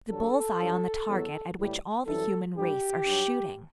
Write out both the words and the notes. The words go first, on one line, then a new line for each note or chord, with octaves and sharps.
The bull's-eye on the target at which all the human race are shooting.
G2 D3 F#3 A4
G2 F#3
E2 B2 F#3
A2 E3 G3
F#2 E3 G3 A4
G2 D3 G3 G4
G2 F#3